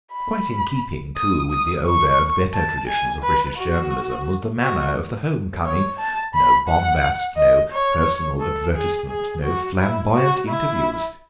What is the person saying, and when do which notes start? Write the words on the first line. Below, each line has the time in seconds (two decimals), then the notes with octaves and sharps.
Quite in keeping, too, with the older and better traditions of British journalism was the manner of the home-coming; no bombast, no personal advertisement, no flamboyant interviews.
0.12 B5
1.16 D#6
1.50 D#6
1.85 C#6
2.54 A5
2.88 G#5
3.23 B4
3.57 F#4
4.60 F#4
5.65 C#5
5.99 A5
6.34 B5
6.68 F#5
7.37 D#5
7.72 C#5
8.41 A4
8.75 G#4
9.10 G#4
9.44 F#4
9.80 E4
10.14 F#4
10.49 E4